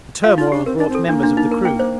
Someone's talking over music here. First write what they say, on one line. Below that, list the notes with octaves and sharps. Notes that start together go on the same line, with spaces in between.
The turmoil brought members of the crew.
F4 F5
D#4 F4
D4 G4
C4 A#4
D4 D#4
C4
A4
A#3 D4
D4
D#4
A#4
G5
C5